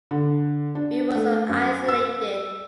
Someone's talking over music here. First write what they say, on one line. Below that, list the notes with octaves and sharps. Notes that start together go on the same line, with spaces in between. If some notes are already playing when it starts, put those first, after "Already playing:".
We were so isolated.
D3
D4
A3
F#2
E6